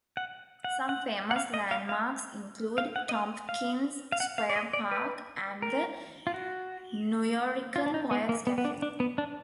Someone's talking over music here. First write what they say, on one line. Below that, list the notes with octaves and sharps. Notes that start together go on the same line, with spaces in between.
Some famous landmarks include Tompkins Square Park and the Nuyorican Poets Cafe.
F#5
F#5
F#5
F#5
F5
D#5
F5
F5
F5
F#5
D#5
F5
F5
F5
F#5
F5
D5
D#5
D5
B4
A#4
F4
F#4
F4
D4
D#4
B3
A#3
B3
B3
D4
D4
B3
D4